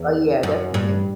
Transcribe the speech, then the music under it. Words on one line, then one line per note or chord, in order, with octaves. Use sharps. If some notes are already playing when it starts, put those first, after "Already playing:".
Oh, yeah, definitely.
Already playing: E2
F#2
G2